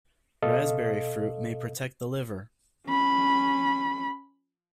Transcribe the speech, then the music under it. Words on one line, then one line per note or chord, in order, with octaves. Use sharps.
Raspberry fruit may protect the liver.
B2 A4 D#5 F5
C#4 B5